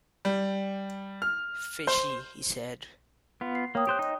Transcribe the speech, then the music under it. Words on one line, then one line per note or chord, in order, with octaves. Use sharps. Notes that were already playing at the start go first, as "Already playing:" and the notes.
"Fishy," he said.
G3
F6
C5
B3 F4
C7
A#3 C#5 G5 D#6
G4 C5 F#6
D#4 D#5